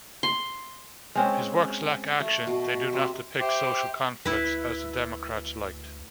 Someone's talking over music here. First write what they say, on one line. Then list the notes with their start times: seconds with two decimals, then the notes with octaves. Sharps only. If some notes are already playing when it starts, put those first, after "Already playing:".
His works lack action, they do not depict social conflicts, as the democrats liked.
0.23 C6
1.15 G#3 C4 C#4
2.20 A3
2.47 B2
2.93 C3
3.40 G4 C5 E5 D6
4.25 D2 E4 B4